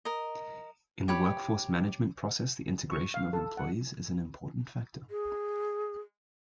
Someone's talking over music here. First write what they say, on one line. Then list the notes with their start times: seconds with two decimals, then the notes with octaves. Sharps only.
In the workforce management process, the integration of employees is an important factor.
0.05 A#4 D#5
1.08 G4 C#5 B5
2.91 C#6
3.14 F5
3.33 A4
3.57 F#5
5.10 G#4